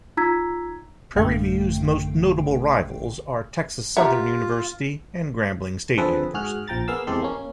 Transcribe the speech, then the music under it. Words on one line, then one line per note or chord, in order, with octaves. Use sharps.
Prairie View's most notable rivals are Texas Southern University and Grambling State University.
D#4 F4 A#5 E6 G#6 B6
A1 F#2 D3 A3 F5 G5
F4 G4 E5 F#5 A#5
D3 F3 C4 G#4 A4 B4
G#2 F#4 G#4 F6 F#6
A#1 F3 G5 A#5 A6
A#3 B3 G#4 F5 E6
E2 C3 G#3 G4 A4 C6
A#3 C#4